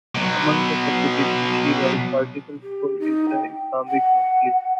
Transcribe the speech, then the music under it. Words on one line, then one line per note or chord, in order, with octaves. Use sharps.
Among the publications she writes articles for is The Islamic Monthly.
B2 F#3
G4
D#4
G5
F#5